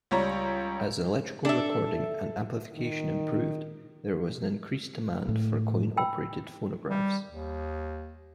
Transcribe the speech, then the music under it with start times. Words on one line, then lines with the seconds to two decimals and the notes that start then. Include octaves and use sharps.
As electrical recording and amplification improved there was increased demand for coin-operated phonographs.
0.11 C#2 G3 C#5 A#5
1.45 D4 A4 E5
2.76 D#3
5.29 A2
5.97 G5 B5 E6
6.90 G3
7.31 D#2